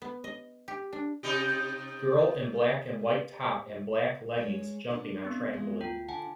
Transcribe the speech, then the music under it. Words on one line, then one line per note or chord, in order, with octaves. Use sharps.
Girl in black and white top and black leggings jumping on trampoline.
B3
D#5
G4
D4
C3 D#4 G4
G#3 C#5
D4
G2 B3 C4
E3 F3 G#3
D2 F4 G5
D3 F#5 G#5 A5